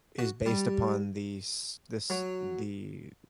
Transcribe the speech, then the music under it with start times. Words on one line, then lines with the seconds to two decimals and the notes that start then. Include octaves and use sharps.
is based upon these this the
0.19 F#4
0.46 G3
2.10 F#3